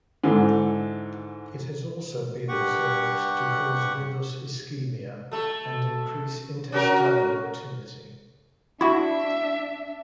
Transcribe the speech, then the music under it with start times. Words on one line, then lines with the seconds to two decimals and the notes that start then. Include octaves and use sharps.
It has also been observed to cause villus ischemia, and increase intestinal motility.
0.23 G#2 D3 E3
2.48 G2 G4 F#5 C#6
5.32 A3 A4
6.72 C#4 F#4 A#4
8.81 D4 E4 F#4 E5